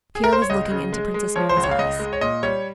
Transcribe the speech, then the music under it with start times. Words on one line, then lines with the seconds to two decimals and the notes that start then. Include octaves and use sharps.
Pierre was looking into Princess Mary's eyes.
0.15 G#4
0.24 A#4
0.33 C5
0.42 C#5
0.50 C#2 D#5
0.72 C#3
0.93 G#3
1.14 G#3
1.36 F3 C#5
1.49 C5
1.57 C#2
1.64 C#5
1.71 F5
1.78 C#2 D#5
2.00 G#3
2.13 C#5
2.21 A#2 D#5
2.43 G3 C#5